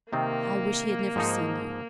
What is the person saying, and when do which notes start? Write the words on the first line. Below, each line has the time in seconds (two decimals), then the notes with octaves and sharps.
"I wish he had never seen you."
0.13 C3 D#3 A#3 C4
1.16 G#2 F3 D#4